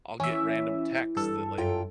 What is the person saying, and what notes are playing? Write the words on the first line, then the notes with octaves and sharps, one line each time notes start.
I'll get random texts that like,
E3 C#4 E5
G2 A4
F#2 F4 G5